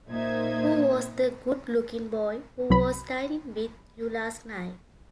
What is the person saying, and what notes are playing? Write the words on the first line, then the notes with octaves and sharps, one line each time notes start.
Who was that good-looking boy who was dining with you last night?
A#2 A#3 D#4 C5 E5 G#6
C2 F#3 B5